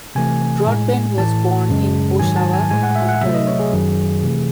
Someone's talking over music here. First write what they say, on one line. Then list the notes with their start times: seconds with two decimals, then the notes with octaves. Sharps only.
Broadbent was born in Oshawa, Ontario.
0.15 C3 E3 A3 G#5
0.67 A2 G#3
1.18 A2 E3 A3 A5
1.69 F#2 C#3 G#3
2.19 G#2 D#3 F#3 G#5
2.36 A5
2.54 G#5
2.70 A2 G#3 G#5
2.83 F#5
2.96 E5
3.09 F#5
3.21 C3 F#3 A3 E5
3.34 D#5
3.47 C#5
3.60 G#4
3.72 F#2 D#3 F#3
4.23 C3 E3 A3